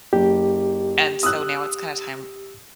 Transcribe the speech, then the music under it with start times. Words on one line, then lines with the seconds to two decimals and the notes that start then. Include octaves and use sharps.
and, so now it's kinda time
0.13 F#1 G4
1.23 D#6 E6 F#6